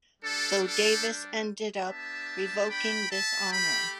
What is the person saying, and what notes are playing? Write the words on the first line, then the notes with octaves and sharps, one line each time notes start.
Though Davis ended up revoking this honor.
G3 D4 G4 A4
A4
B3 D4 G4 E5 A5
G5 B5
E5 A5
A3 G4 G5 B5